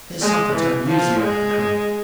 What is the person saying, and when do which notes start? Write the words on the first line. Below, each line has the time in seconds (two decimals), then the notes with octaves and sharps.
"Here's something to amuse you!" he cried.
0.21 G#3
0.54 E3
0.87 F3
1.20 G#3